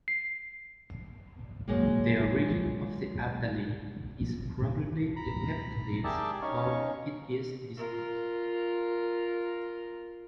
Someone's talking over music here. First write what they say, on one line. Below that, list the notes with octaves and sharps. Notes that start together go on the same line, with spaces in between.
The origin of the Abdali is probably the Hephthalites though it is disputed.
C7
F#2 G#3 A#3
A#5 B5
G4 G#4 A#4 D5 E5 A5
C#4 D#4 C#5 F5 C#6
F4 A#4